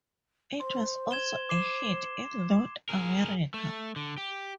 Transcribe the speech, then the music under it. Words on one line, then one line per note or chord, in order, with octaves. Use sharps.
It was also a hit in North America.
C5 C6
G#6 E7 G7
D6 C7 E7
G#4 A#4
A3
D3
G4